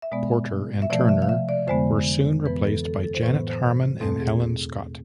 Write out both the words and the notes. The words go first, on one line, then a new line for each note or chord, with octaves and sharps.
Porter and Turner were soon replaced by Janet Harmon and Helen Scott.
E5
B2 G#3 B3 D5
E5
C3 F3 A3 D5
E5
F5
E5
D5
F2 D3 G#3 B3 C5
F2 E3 B3 B4
A4
A4
A4
C5
A2 E3 B3 B4
C5
E2 B2 A3 C4 A4
G#4